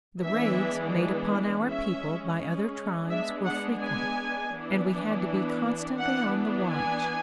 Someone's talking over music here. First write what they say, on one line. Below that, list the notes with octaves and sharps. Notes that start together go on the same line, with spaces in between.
The raids made upon our people by other tribes were frequent, and we had to be constantly on the watch.
E3 G#3 B3 D4 E5
G#3 C#4 E5
G#3 B3 D4 E5
F#5
G#5
E3 B3 D4
E3 B3 D4 F#5
G#5